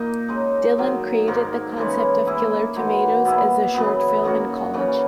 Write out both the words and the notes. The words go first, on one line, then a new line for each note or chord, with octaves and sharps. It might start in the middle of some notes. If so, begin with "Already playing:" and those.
Dillon created the concept of Killer Tomatoes as a short film in college.
Already playing: A#2 A#3 D#4
C#3 G#3 D#4
D#3 F#3 A#3
G#2 D#3 A#3
C#3 E3 G#3 C#4
D#3 A#3 E4 G#4
E3 G#3 D#4 F#4
B2 A#3 E4 G#4
F#2 C#3 E3 B3
D#3 A#3 C#4 F#4
C#3 E3 A#3 C#4